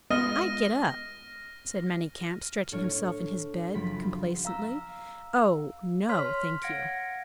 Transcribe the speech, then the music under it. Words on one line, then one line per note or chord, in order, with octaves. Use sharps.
"I get up!" said Manicamp, stretching himself in his bed, complacently, "oh, no, thank you!"
G#3 B3 F4 D#5 F6 A#6 D#7
A2 D4 C#5 F6
F#1 F3 B5 B6
F5 A#5 E6
C#5 C6 F6 B6
F5 F#5 G#6 A#6 C#7 D7